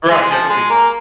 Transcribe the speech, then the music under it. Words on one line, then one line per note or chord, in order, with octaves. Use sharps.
Right, yeah, it'll be fun.
G#3
G#3
F3
G#3
A#3